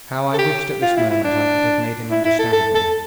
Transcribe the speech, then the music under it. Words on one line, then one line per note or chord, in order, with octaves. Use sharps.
How I wished at this moment I could have made him understand me.
A4
G4
F4
E4
E4
D4
E4
E4
A4
A4
A4